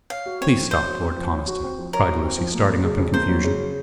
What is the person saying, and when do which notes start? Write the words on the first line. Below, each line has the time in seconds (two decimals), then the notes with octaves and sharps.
"Please stop, Lord Conniston," cried Lucy, starting up in confusion.
0.10 C#5 F5
0.26 F#4
0.41 C4 C#5
0.57 F3
0.71 C5 C#5
0.87 F#4
1.02 C4
1.17 F3
1.33 C#5
1.47 F#4
1.63 C4
1.78 F3
1.93 A#4 C#5
2.08 F#4
2.24 C4
2.38 F3
2.54 A#3
2.68 F#3
2.83 C#3
2.99 F2
3.14 A#3 C5
3.29 F#3
3.44 C#3